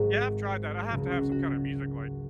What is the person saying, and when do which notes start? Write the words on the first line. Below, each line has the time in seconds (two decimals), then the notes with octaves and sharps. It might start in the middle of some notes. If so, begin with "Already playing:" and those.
Yeah, I've tried that. I have to have some kinda music, like,
Already playing: G#1 G#2 F#3 F#4
0.90 C#2 C#3 F#3
1.11 F#4
1.32 F#4